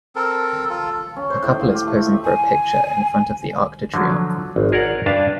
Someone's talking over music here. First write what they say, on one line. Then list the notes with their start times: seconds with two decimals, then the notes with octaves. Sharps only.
A couple is posing for a picture in front of the Arc de Triomphe.
0.16 C4 A4 A#4
0.70 F4 A4
1.16 C#4
1.30 C5
1.43 A2
1.61 F4
1.75 G4
1.87 A3
2.06 E5
2.25 G#5
3.94 D3 F3 F#3
4.56 G#1
4.72 G#4 A#4 C#5 D5 F#5
5.06 G2 D4 B4 F5 A5